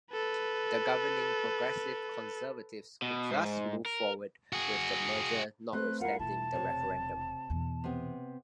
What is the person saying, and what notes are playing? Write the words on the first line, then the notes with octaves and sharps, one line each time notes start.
The governing Progressive Conservatives could thus move forward with the merger notwithstanding the referendum.
A4 B4
B2
G#2
A#4
F#4 G#4
A3 C4 B4 F#6
E4 F4 A#4 F5 F#5
E1 A5
C3 C#5
E2 B2
C3 B3